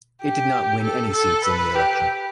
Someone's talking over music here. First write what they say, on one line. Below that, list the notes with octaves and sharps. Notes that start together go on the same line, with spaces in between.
It did not win any seats in the election.
G4
A4
A4
B4
G4